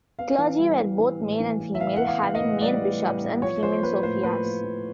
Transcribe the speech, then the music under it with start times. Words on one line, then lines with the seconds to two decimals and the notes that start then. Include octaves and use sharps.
Clergy were both male and female, having male bishops and female sophias.
0.19 B3 F5
0.38 E3
0.59 G3
0.79 E3
0.99 E3
1.20 A2
1.40 E3
1.60 E3
1.75 E5
1.80 B3 F5
1.96 B3 F#5
2.07 F5
2.21 B3
2.35 D#5
2.41 A2
2.62 G3 D5
2.82 B3
3.02 G3
3.23 B3
3.42 F3 C#5
3.63 F3 C5
3.83 A#3 B4
4.03 A2 C5
4.23 A#3 B4
4.44 A#3
4.64 F3